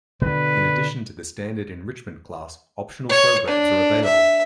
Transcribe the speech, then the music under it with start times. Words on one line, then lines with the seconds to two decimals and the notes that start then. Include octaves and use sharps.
In addition to the standard enrichment class, optional programs are available.
0.22 B2 D3 B4
3.09 C#5
3.48 D4
4.04 E5